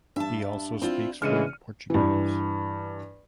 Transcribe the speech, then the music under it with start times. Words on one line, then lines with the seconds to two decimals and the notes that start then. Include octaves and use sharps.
He also speaks fluent Portuguese.
0.16 G2 E5 A5
0.82 C4 D4 E4 F4
1.22 C#3 E3 G#3 D4 F6 C#7 D#7
1.90 G2 E3